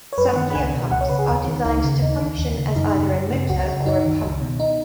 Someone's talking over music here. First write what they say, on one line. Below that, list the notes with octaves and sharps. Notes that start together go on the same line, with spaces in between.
Some gear pumps are designed to function as either a motor or a pump.
C#5
F#2 B4
D#3 F#5
B5
C#2 G#5
B2
C#2 F#5
C#5
C#3 B4
G#4
D#2
D#3
C#2 D#4
C#3
D#2 D#4
D#3
D#2
C#3
F#2 D#4
C#3
F#2
C#3
C#2 F#4
C#3 F#4
F#2 D#4
D#3
C#2
B2
D#4